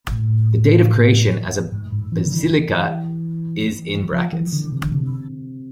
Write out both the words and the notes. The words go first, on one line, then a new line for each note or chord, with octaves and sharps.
The date of creation as a basilica is in brackets.
A2
G#2
G#2
E3
D3
E3
F3
E3
D3
C3
D3
C3